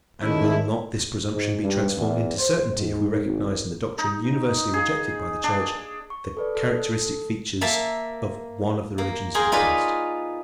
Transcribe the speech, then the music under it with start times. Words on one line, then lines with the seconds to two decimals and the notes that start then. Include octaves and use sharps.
And will not this presumption be transformed into certainty if we recognize in the doctrine universally rejected by the Church the characteristic features of one of the religions of the past?
0.22 D#3 G#3 A3 C#4 E4
1.31 G#2
1.63 G2
1.97 E2
2.37 C5
2.77 G#2
3.25 G#1
3.98 D#4
4.74 G#4
5.44 D4
6.10 C#6
6.37 A4 B4 D5
6.55 A4
7.61 A#3 E5 A5
8.98 A#3
9.34 G#4 A#4 C5 F5 G5
9.52 D#4 F4 G#4 B4 D5